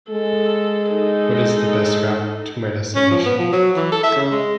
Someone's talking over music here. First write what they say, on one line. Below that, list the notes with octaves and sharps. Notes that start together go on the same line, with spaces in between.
What is the best route to my destination?
G#3 A4
D#4 A4
C#4
F3
B3
F3
F#3
E3
A4
E5
C#3
G#3